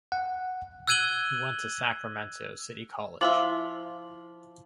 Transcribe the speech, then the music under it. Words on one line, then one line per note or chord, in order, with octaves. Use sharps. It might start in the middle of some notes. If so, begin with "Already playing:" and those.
He went to Sacramento City College.
F#5
E6 F#6 G#6 D#7 F#7 G7
F3 E4 F4 C5 E5 C6 D6 F#7